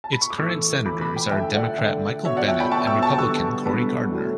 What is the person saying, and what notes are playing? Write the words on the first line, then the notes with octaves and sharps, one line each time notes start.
Its current senators are Democrat Michael Bennet and Republican Cory Gardner.
A5
B5
C#6
D6
A2 E3 A3 C#6 E6
A2 E3 A3 B5 D6
B5 D6
G5 B5
D3 A3 E5 G5
D5 F#5
D3 A3
B2 F#3 B3 C#5 E5
D5 F#5
E5 G5
G5 B5
B2 F#3 B3 A5 C#6
C#6 E6
A5 C#6
D3 G3 B3 C#6 E6
D3 G3 B3
A2 F#3 A3